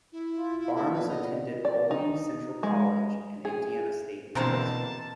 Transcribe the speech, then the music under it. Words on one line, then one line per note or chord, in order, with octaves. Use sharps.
Barmes attended Olney Central College and Indiana State University.
E4
F4
E4
A#3 E4 A4
A#2 B3 B4
D#5
D5
D#4
G#3
G#4
B2 D3 E3 A#3 C4 A#4 C5 A5